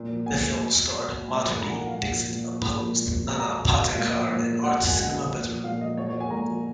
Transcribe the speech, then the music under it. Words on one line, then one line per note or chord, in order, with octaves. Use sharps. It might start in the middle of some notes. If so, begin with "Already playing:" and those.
The film starred Madhuri Dixit opposite Nana Patekar, an art cinema veteran.
Already playing: A#2
F3
A#2 G#5
F3
B2
B2
A#2 G#5
F3 B5
A#2 A#5
G#5
F3 F#5
F5
A#2 F#5
F3
A#2
F3
A#2 B5
F3
A#2
F3
B2 A#5
A#5
B2
A#2 F5
F3
A#2
F3
B2 F#5
F#5
G#5
B2 F#5
A#2
F3
A#2 F5
F3 D#5
A#2 C#5
F3 C#5
G#5
A#2 A#5
F3